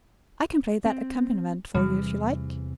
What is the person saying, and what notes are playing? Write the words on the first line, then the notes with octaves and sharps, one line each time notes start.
I can play that accompaniment for you if you like.
C4
E2 C3 E3 G3